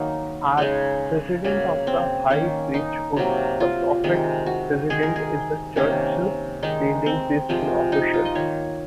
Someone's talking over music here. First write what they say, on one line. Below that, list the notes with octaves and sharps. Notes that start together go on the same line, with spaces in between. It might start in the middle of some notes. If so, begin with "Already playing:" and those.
As "President of the High Priesthood", the Prophet-President is the church's leading priesthood official.
Already playing: D#3 F#3 A#3 D#4
C#3 G#3 D#4
C#3 F#3 A#3
C4
D#3 A#3 C#4
D#4
C3 F#3 A#3
F4
C3 D#3 G#3
F#4
D#3 G#3 G#4
A#4
G#4
C3 D#3 A#3 C#4
D#3 G#3 D#4
C4
C3 F3 G#3
D#4
F4
D#5
D#3 A#3 C#5